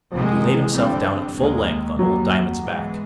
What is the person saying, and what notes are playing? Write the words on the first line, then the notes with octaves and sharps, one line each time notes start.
And he laid himself down at full length on old Diamond's back.
C3 D#3 F3 G#3
E3
E3
G2 D3 G3 C4
D#2 D#3 G#3
D#2 D#3 F#3 G3
G#2 E3 G#3 B3